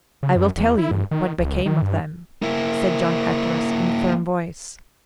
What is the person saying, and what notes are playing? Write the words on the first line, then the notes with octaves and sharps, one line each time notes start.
"I will tell you what became of them," said John Hatteras in a firm voice.
C#3
F#2
E2
E4
G2
D#3
C#2
D#3
G2
A#3 E4